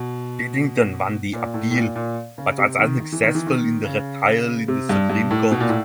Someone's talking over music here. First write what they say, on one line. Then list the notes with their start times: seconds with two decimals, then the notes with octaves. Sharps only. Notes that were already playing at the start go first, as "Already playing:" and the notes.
Piddington won the appeal but was unsuccessful in the retrial in the Supreme Court.
Already playing: B2
1.33 A#2
1.54 A2
1.71 A2
1.74 A#2
1.96 A#2
2.38 C#3
2.58 C3
2.79 D#3
3.00 D#3
3.12 E3
3.24 D#3
3.35 E3
3.47 D#3
3.85 C#3
4.68 C3
4.89 G2
5.10 G2
5.31 A2
5.52 B2
5.60 A#2
5.69 A2